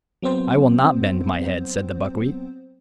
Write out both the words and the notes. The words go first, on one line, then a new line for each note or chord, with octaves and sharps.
"I will not bend my head," said the buckwheat.
F#3 B3 C4 C5